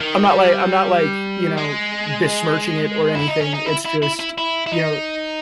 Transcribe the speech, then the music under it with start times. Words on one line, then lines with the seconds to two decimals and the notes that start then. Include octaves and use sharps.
I'm not like I'm not like, you know, besmirching it or anything, it's just, you know,
0.01 D#3
0.27 G3
1.57 G#3
3.15 E4
3.28 D#4
3.41 C#4
3.54 D#4
3.66 E4
3.85 E4
4.02 E4
4.19 E4
4.38 E4
4.66 E4
4.72 D#4